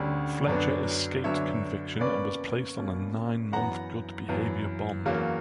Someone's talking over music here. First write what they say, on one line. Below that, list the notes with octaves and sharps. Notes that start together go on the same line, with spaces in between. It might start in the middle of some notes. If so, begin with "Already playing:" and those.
Fletcher escaped conviction and was placed on a nine-month good behaviour bond.
Already playing: D2 D3 G3 C#4
F#2 D3 F#3 B3 D4
F#2 D3 F#3 B3 D4 C#5 E5
B2 A#3 C#4 B4 D5
B2 A#3 C#4
F#2 E3 B3 F#5 A#5
F#2 E3 B3
E2 C#3 F#3 A#3